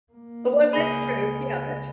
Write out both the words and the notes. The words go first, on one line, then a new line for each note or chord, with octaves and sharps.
Oh well, that's true, yeah, that's tr
A#3
C#2 G#4 B5 G7